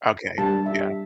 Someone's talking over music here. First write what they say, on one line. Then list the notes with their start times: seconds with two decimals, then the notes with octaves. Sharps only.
Okay, yeah.
0.38 G3 D4 G4 A5
0.66 E5